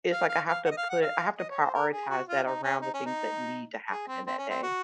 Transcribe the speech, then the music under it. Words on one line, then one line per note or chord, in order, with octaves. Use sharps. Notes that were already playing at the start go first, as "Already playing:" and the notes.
it's like I have to put I have to prioritize that around the things that need to happen in that day.
F5
F5
F5
F#5
D#5
F5
F#5
F5
D#5
C#5
C5
A#4
G#4
F#4
F4
D#4
C#4
D#4
C#4
D#4
G#4
C4
C4
C#4
C4
F#4